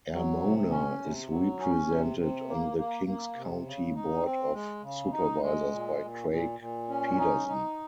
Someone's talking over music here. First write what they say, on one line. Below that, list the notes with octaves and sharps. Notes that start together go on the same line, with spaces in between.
Armona is represented on the Kings County Board of Supervisors by Craig Pedersen.
F#3
C3
C#4
C3
F#3
C#4
C3
C3
A#3
A#3
A#3
C3
C#3
D#4
C4
G#3
C#3
D#4
G#3
A#2
A#2
A#2
A#2
C#4
D#4
D#4